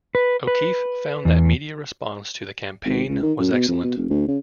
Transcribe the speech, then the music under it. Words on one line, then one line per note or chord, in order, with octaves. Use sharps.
O'Keefe found that media response to the campaign was excellent.
B4
B4
E2
G#1
C#2
D#3
F#2
B2
F2
B2
F1
D2
C#3